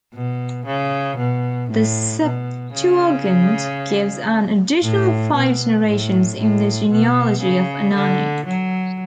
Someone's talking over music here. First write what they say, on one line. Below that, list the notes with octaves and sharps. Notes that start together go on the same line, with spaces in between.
The Septuagint gives an additional five generations in the genealogy of Anani.
B2
C#3
B2
A2
B2
C#3
A2
B2
A2
A2
B2
C#3
D3
F#3